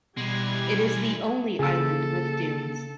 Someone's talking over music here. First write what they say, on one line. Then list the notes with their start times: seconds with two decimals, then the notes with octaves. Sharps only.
It is the only island with dunes.
0.17 B2 E3 G3 G#3 G#6
1.59 C#3 A#3 G#4 A4 E6